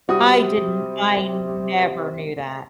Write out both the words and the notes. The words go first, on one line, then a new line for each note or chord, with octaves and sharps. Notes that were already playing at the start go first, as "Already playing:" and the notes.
I didn't I never knew that.
C3 G3 F#4 D#6